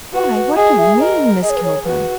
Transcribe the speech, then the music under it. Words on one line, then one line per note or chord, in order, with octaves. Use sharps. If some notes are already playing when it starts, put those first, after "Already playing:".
"Why, what do you mean, Miss Kilburn?"
F#4 B4
B4
G#4 D#5
E5
A#4 D#5
G#4 D#5
C#5
B4
C#5
F#4 B4